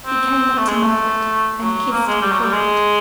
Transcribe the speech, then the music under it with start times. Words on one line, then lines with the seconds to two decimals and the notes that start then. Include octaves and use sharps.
He came up to Margaret, and kissed her forehead.
0.06 C4
0.58 A3
0.68 G#3
0.84 A3
1.61 F#3
1.92 A#3
2.07 G#3
2.22 G3
2.32 F#3
2.43 G3
2.53 G#3